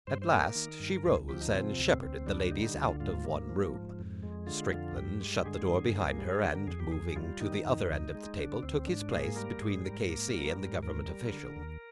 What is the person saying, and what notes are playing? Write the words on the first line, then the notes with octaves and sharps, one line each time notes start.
At last she rose and shepherded the ladies out of one room. Strickland shut the door behind her, and, moving to the other end of the table, took his place between the K.C. and the Government official.
G2 C5
C5
A#3 A#4
D#3
G2
D2 G#4
F3 G4
D#4
C3 C4
D2
D2 C4
G3 D4
D3 D#4
D2 F4
G#2 F4
A#3
F3
G#2
F2
G#3
D3 F4
F2 F4
G2 G4
G#3
D3 G#4
G2
A#3
G3
D3 G4
A#4
F2 G#4
G4
F2 G#4
G3 F4
D#3 D#4
F2
D2
G#3
D3 D4
D2 C4
G#2 D4
A#3 G#4
G3 A#4
G#2 G#4
G#2 A#4
A#3
G3
G#2
D#2 A#4
G3
D3
D#2